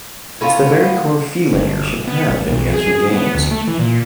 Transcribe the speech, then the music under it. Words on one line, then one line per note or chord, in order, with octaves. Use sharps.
It's the very core feeling we should have in making games.
A2 B3 C#4 F4
G1
B3
A1
B1
G#4
B3
D2
A3
E3
A#2